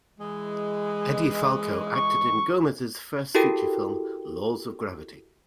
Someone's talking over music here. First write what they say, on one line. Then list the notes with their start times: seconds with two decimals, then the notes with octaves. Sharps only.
Edie Falco acted in Gomez's first feature film, "Laws of Gravity".
0.19 E3 G#3
1.95 C#6
3.35 E4 F#4 G4 A4 A#4 G5